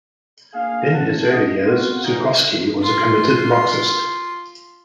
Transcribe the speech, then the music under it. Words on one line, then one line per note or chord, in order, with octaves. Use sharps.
In his early years, Zukofsky was a committed Marxist.
A#3 D4 G#4 F5
C#4 F#5 A5
D#5
B3 C4 F4 F#4
G1 E3 D#4
F4 C6